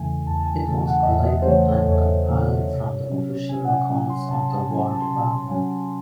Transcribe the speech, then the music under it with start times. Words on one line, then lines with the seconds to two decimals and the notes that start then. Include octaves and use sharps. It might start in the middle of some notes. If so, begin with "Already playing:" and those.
It was collated and compiled from the Official Records of the War Department.
Already playing: E2 C#3 E3 A3 G#5
0.27 E2 A5
0.40 A5
0.46 G#5
0.67 C#3 E3 A3 A5
0.87 F#5
1.02 D#5
1.07 E2 E5
1.27 D#5
1.42 C5
1.47 C#3 E3 A3 C#5
1.68 A4
1.87 E2 C#5
2.28 C#3 E3 A3
2.68 C3
3.09 F#3 C#4
3.49 C3 G#5
3.65 F#5
3.70 G#5
3.90 F#3 C#4
4.10 C6
4.29 C3 A5
4.50 A5
4.70 F#3 C#4 G#5
4.91 A5
5.01 C6
5.10 C3 A5
5.51 F#3 C#4 G#5